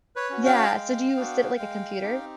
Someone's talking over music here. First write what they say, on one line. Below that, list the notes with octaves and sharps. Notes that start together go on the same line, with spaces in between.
Yeah. So do you sit at, like, a computer?
B4 C#5
C#4 F#4
F5 G5
G#3
B3 D4 F#4
G#3
C4 D#4 G4